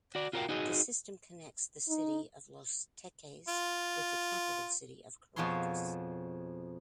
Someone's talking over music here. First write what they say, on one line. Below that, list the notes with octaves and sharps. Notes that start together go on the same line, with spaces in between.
The system connects the city of Los Teques with the capital city of Caracas.
F#4 D5
F4 F#4 A#4 C5 F5 G5
D#4 F#4 G#4 D#5
D#4
F4
F2 B2 F3 G#4 C#5 C6